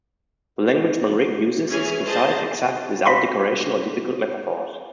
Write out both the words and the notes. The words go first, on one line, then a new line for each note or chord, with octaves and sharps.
The language Manrique uses is precise, exact, without decoration or difficult metaphors.
E3 C#4 G#4 G#5
G#4 C5 D#5 A5
C5 F5 B5 C6 A#6 B6